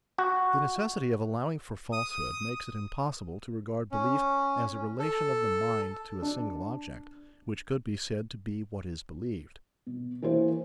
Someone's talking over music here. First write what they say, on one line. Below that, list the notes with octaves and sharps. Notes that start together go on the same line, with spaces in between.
The necessity of allowing for falsehood makes it impossible to regard belief as a relation of the mind to a single object, which could be said to be what is believed.
F#4
D#6
C#4
A4
D4
B2
E3 A#3 A#4 C5